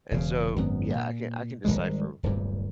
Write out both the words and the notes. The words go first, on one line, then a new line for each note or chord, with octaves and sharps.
and so, yeah, I can I can decipher
E1 C#3
G#1 F#2 B3
A#2
G#1 E2 G3 G#3
D1 G1 G2 A#2